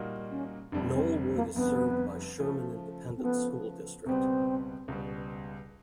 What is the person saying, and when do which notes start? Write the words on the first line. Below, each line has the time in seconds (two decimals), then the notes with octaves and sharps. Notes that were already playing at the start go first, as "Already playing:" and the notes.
Knollwood is served by Sherman Independent School District.
Already playing: A#2 G3 A#3 D#4 F#4
0.31 C#4
0.72 F1 F2 D3 G3 D4
0.93 C4
1.35 A#3
1.55 F1 F2 D3 G3 B3
2.40 C#3 F3 A3
3.17 C4
3.22 C#3 F3 A3 B3
4.06 C#2 B2 G3 B3 C4
4.88 C#2 B2 G3 B3